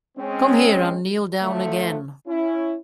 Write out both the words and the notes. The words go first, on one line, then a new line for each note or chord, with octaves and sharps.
Come here and kneel down again!
G#3 C4 C#4
D3 F3 F#3 A3
C#4 E4